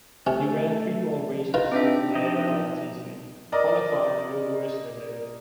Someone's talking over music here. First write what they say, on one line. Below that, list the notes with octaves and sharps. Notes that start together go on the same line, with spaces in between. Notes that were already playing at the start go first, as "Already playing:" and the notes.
He ran three more races with Blair that season, qualifying no worse than eleventh.
C3 A3 C#4
D#4 F4 B4 F5
C4 D4 E5
F3 D#4 D#5
A#4 D5 D#5 A#5